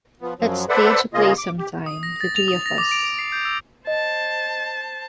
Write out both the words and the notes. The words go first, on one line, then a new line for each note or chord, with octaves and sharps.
Let's stage a play sometime, the three of us.
F3 B3
F#2 F3 F#3
A4 B4 C5 D5 E5 F#5
C#3 A#3 F4 G#4 D#5
D6
G4
D#6
A#6
A6
F7
D#6
A#6
D6
D7
D7
C7
G6
E6
C5 D#5 A5